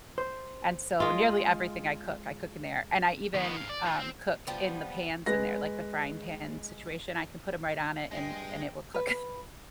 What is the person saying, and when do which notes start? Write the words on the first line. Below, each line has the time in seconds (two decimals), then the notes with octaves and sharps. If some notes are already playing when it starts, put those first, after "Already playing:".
and so nearly everything I cook, I cook in there, and I even, um, cook in the pans in there, like, the frying pan situation. I can put 'em right on it and and it will cook
0.18 C5
1.00 G#3 F4
3.35 D#3 B3
3.56 G#2 F5
3.70 D5
3.83 D#3 F4
4.00 C4
4.47 F3 G3 B3
5.26 G#3 B4 A#6
8.11 G2 G#3 D#5 G5
8.94 B4